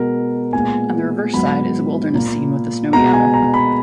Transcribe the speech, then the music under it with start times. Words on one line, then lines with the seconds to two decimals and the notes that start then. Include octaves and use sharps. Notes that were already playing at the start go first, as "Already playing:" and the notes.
On the reverse side is a wilderness scene with a snowy owl.
Already playing: B2 G#3 B3 A#4
0.53 A#2 G#3 B3 G#5
1.33 G#2 F#3 B3 B5
2.14 A#2 A#3
2.93 B2 G#3 B3 A#5
3.13 G#5
3.34 A#5
3.54 B5